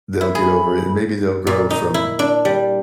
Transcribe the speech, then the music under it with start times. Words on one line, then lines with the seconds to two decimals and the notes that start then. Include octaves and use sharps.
they'll get over it, and, maybe they'll grow from
0.21 E4
0.35 G#4 B5
1.47 A#2
1.70 D#4
1.94 E4
2.19 D4
2.45 G3